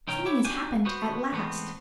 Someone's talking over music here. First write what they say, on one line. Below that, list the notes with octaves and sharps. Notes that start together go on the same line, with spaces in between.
Something has happened at last.
B1 D#3 C#4 G5 A#5
E4 G4 C#5
D4 F#4 G4 G#5
B3 F#4 C5
E2 G#2 A3 B3 C4